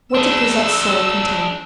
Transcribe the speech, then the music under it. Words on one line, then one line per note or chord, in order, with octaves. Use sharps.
What did Cosette's soul contain?
D4 G#4 E6